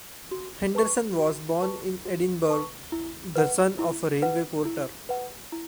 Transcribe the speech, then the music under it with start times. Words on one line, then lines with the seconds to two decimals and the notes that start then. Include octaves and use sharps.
Henderson was born in Edinburgh, the son of a railway porter.
0.31 F#4
0.75 B4 A5 C#6
1.19 F#4
1.62 B4 A5 C#6
2.05 F#4
2.48 B4 A5 C#6
2.92 E4
3.36 B4 F#5
3.79 E4
4.22 B4 F#5
4.65 E4
5.09 B4 F#5
5.52 E4